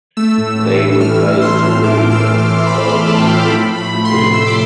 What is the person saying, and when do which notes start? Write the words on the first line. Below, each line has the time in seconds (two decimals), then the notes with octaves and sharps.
They replaced the roof and installed a new cupola.
0.17 A3 E6
0.38 A2
0.59 E3
0.79 A2
1.00 A2 F6
1.21 A2 E6
1.41 E3 C6
1.62 A2 C6
1.84 A3 D6
2.05 A2
2.11 E6
2.25 A2 E6
2.39 D6
2.46 A2
2.67 E3 B5
2.87 A2
3.08 A2 A5
3.19 G5
3.29 A2 A5
3.50 F3 B5
3.70 A3
3.78 B5
3.92 F3
4.05 C6
4.13 C3
4.33 C3 E6
4.47 D6